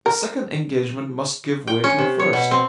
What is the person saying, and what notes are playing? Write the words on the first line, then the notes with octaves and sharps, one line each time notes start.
A second engagement must give way to a first.
A#4
G5
C#4
C3
C#5
B2
C4